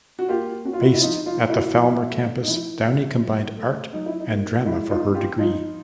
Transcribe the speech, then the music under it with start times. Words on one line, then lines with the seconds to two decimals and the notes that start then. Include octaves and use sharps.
Based at the Falmer campus Downey combined Art and Drama for her degree.
0.19 F#4
0.29 A#3 F4 G4
0.65 C#4 F#4
0.73 F4
0.81 E4 F#4
0.94 E4
1.01 F3 D#4 F4
1.26 D#4 F4
1.39 A3
1.50 E4 F#4
1.75 F3
2.11 A3
2.43 D#4
2.48 F3 E4
2.84 G#3
3.20 F#3
3.57 A3
3.93 F#3 D#4
4.06 E4
4.20 D#4
4.30 A#3
4.66 G#3 E4
4.89 D#4 F4
5.02 B3
5.14 F4 G4
5.38 F3 D#4 F4